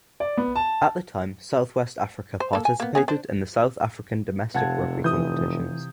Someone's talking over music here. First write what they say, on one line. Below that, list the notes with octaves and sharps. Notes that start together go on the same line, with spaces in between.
At the time South West Africa participated in the South African domestic rugby competitions.
D5
B3
A5
C5
A#3 A4
G#5
A#3 B3
B3 C#4 G#4
D4 C5
F1 C3 F5 F#5 A5 G#6
E3 D#6 G6